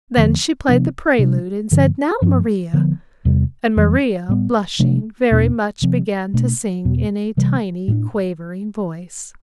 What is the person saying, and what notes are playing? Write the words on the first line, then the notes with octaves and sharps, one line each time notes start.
Then she played the prelude and said "Now, Maria!" and Maria, blushing very much began to sing in a tiny quavering voice.
E2 D3 F3 B3
C3 F3 B3 D4
C3 G3 D4
G2 D3 F3
G2 F3 C4
D3 F3 B3
E2 C3 G3
F2 E3 G3
A2 G3 B3
C3 F3 A3 D4
E2 B2 B3 D4
C3 F3 C4
B2 A3 D4
E2 B2 B3
C3 E3 G3
A2 G3 D4